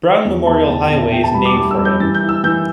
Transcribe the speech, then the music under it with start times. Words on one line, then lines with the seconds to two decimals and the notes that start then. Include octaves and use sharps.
Brown memorial highway is named for him.
0.25 E2
0.46 E2 A5
0.69 E2 G5
0.83 G5
0.90 B2
0.98 E5
1.12 E2 G5
1.24 A5
1.34 G3 B5
1.45 D6
1.56 G3 D6
1.71 E6
1.78 G3
1.85 G6
2.00 E3 A6
2.14 G6
2.22 E4
2.29 E6
2.44 E3 G6